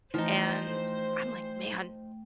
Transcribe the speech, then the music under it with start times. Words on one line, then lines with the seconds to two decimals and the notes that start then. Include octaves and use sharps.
and I'm like, "Man,
0.14 E3 F3 A3 D#4 C5 G5